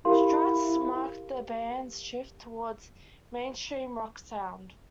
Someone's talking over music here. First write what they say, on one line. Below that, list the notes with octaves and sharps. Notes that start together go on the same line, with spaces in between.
"Strast" marked the band's shift towards mainstream rock sound.
E4 G4 A#4 F5 C6